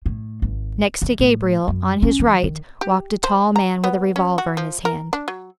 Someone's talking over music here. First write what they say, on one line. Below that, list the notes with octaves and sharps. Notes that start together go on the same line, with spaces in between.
Next to Gabriel, on his right, walked a tall man with a revolver in his hand.
A2
G#1
E3
A2
F#2
C#4
E3
D#3
G4
C5
A#5
B3
C#4
F#4
F3
A#4
D4
F#3